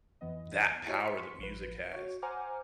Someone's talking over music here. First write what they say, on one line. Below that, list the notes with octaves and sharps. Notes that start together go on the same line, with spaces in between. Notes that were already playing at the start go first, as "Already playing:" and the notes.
that power that music has.
F2 E3 B3 D#5
E4 F#4 G4 C#5 D#5 E5
C6 C#6 B6 C#7
A1 F3 B4
F#4 C#5
C5 F#5 G#5 A#5 D6 F6